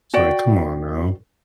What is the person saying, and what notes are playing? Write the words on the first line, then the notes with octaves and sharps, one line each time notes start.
It's like, come on now,
F#4 D5 G5